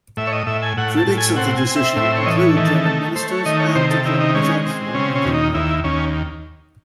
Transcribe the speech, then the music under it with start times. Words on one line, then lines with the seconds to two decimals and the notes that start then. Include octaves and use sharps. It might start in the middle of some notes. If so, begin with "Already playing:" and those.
Critics of the decision include German Ministers and the German Chancellor Angela Merkel.
0.17 A2 E5
0.27 C#5
0.33 D#5
0.47 A2 E5
0.62 G#5
0.77 A2 F#5
0.97 A5
1.07 A2
1.18 G#5
1.36 C4 F#5
1.57 G#5
1.67 C4
1.76 E5
1.96 A2 E5
2.17 C#5
2.26 E3 D#5
2.36 C#5
2.57 D#3 A4
2.86 A3
3.15 A3 C5
3.31 C#5
3.46 D#3 D#5
3.60 C#5
3.75 C3 C5
3.90 A4
4.05 D#3 E4
4.20 D#4
4.35 G#3 C#4
4.66 C4
4.94 C#3 C#4
5.15 C#4
5.25 D#2
5.34 D#4
5.54 D#2 E4
5.84 D#2 C#4